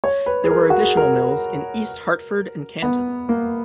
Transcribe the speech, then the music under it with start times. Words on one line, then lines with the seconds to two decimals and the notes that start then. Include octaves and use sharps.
There were additional mills in East Hartford and Canton.
0.04 C#5
0.26 B4
0.44 G#4
0.51 A#4
0.70 F#4
0.83 G#4
0.97 A#4
2.82 B3
3.29 A#3